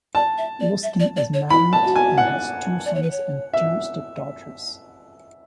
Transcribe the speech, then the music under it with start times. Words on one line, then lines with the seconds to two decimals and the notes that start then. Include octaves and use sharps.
Luskin is married and has two sons and two step daughters.
0.15 D5 A5
0.38 E5
0.60 D5
0.83 E5
1.00 D5
1.17 D5
1.34 C#5
1.50 E4 B5
1.73 A5
1.85 F#4
1.96 G#5
2.18 F#5
2.85 D5
2.95 C#5
3.03 B4
3.11 C#5
3.53 E5